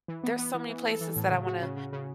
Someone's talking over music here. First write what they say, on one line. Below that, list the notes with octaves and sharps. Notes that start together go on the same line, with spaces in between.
there's so many places that I wanna
E3
B3
B3
E3
E3
A4
E3
A2
C#3
F#4
C#3
C#3
C#3